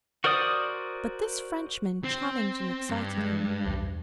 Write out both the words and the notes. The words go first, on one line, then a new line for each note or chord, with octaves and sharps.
But this Frenchman challenged and excited him.
F#4 A#4 C5 D5 D#6
C4
G2
G#3
B1 E2